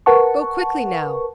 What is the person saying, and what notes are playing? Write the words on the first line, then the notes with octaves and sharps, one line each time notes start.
Go quickly now!
A#4 B4 F#5 A5 C#6